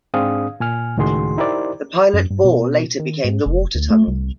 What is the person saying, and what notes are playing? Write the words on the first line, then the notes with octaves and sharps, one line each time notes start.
The pilot bore later became the water tunnel.
G#2 C4 D4 G#4 F5 D#6
A#2 G#5 F6
C#2 A2 D#3 F#4 G#4 C6
D#4 E4 G4 A#4 C5 D5
F#2
G2
B2
D#3
G#2
F1
D2
A3
C2